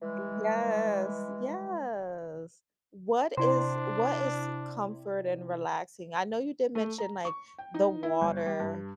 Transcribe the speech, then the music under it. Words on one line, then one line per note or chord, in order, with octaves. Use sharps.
Yes, yes. What is what is comfort and relaxing, I know you did mention, like, the water
E3 G3 G#3
C3 D4 E4 C5 D5
A3
A#5
C#6
G5
D#4
E4
G1
G3
G2